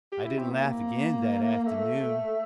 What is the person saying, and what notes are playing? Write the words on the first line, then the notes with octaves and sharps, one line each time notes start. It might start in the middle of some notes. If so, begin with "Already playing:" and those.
I didn't laugh again that afternoon.
G4
E4
C4
A#3
A3